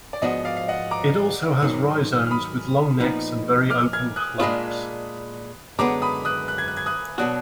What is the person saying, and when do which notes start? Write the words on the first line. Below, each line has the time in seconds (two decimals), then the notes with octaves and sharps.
It also has rhizomes with long necks and very open clumps.
0.13 D5
0.22 G#2 F3 B3 D4 F#4 D#5
0.45 D5 F5
0.57 F5
0.68 D#5 F#5
0.91 A#5 D6
1.61 G#2 D#3 F#3
2.27 F6
2.31 B5 D#6
3.00 A#2 F3 B3 D#4
3.70 D6 F6
3.93 F6 G#6
4.16 D#6 F#6
4.40 A#2 G#3 D4 F4 B5 D#6
5.79 F#2 D3 G#3 B3 A#5 D6
6.02 B5 D#6
6.25 D#6 F#6
6.48 F#6
6.58 G#6
6.68 F#6
6.77 G#6
6.86 D#6 F#6
7.18 B2 F#3 D4 F#4 D#6 F#6